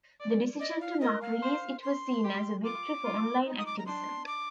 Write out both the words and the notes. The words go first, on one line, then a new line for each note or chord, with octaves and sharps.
The decision to not release it was seen as a victory for online activism.
D5
D5 D#5
F5
A#4 D#5
F5
C5
C6
G4
F4 D6
F4
D#4
D#6
D6
A#5
D4 C6
D6